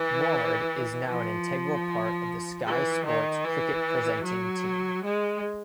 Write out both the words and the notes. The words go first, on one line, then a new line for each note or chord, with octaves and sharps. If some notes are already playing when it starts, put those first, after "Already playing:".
Ward is now an integral part of the Sky Sports cricket presenting team.
Already playing: E3
F3
E3
D#3
E3
F#3
G#3